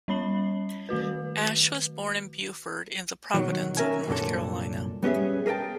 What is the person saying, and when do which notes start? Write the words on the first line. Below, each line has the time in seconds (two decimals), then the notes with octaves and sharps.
Ashe was born in Beaufort in the Province of North Carolina.
0.08 G3 C#4 C#5 B5 C7 F#7
0.89 D#3 A3 F#4 B4
3.34 B2 D#3 F#3
3.77 D#3 C#4 A#4 E5 G#5
4.08 C2 F#2 A#2 D4 A4
5.03 G3 B3 C#4 G#4 E5
5.46 G#4 A#4 D#5 G5 A5